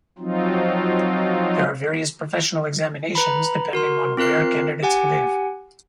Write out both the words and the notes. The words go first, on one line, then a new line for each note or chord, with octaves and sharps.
There are various professional examinations, depending on where candidates live.
F3 F#3 C4 D#4 F4
B4 A#5 B5
F#4 A#4 C6
C4 F4 A#4 F#6 C7
G4 F#5 G#5